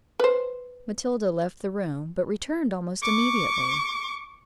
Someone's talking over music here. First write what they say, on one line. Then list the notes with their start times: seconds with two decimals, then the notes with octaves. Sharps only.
Matilda left the room, but returned almost immediately.
0.20 B4 C5
3.02 C#6 D6